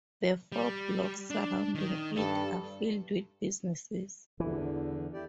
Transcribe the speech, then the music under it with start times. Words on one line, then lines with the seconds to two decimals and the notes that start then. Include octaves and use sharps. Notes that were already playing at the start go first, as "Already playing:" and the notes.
The four blocks surrounding it are filled with businesses.
0.52 G3
1.30 D4
1.75 D#3
2.17 G2 A4
4.40 E2 D3 E3
5.14 E4 G4 D5